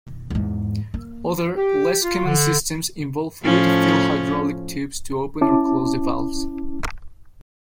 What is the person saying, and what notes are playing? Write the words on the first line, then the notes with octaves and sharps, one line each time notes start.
Other, less-common systems involve fluid-filled hydraulic tubes to open or close the valves.
E2 G#2
A#3
G4
F4
D3
A2 F3 C#4
C#4 E4 A5 D6